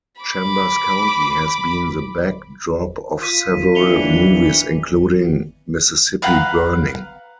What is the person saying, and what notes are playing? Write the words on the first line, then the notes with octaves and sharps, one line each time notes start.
Chambers County has been the back drop of several movies including Mississippi Burning.
B5 D6
F4 B6 D#7
D#2 E3 D4 C#7 F7 G7
B4 F5 F#5 A#5